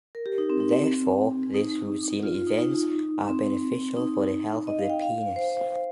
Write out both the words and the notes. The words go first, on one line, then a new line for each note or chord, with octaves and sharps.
Therefore, these routine events are beneficial for the health of the penis.
A#4
G4
D#4
C4
D#4
C4
C4
D#4
F4
F4
D#4
D#4
C4
D#4
D#5
F5
G5
F5
C5